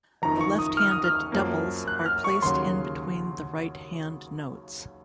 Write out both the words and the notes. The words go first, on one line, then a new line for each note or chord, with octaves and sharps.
The left-handed doubles are placed in between the right hand notes.
F#1 F2 D#3 A#5
C#6
D#6
F6
D#6
F6
F#2 F3 A#3
F#6
F6
C#6
D#2 C#3 F#3 C6